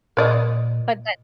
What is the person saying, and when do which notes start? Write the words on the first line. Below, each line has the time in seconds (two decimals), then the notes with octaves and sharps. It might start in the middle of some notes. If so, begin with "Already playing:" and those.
but that
0.17 A#2 A#4 D5 D#5